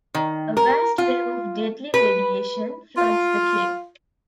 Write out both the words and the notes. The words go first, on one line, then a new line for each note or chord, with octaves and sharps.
A vast wave of deadly radiation floods the cave.
D#3
A#4
F4
B4
F4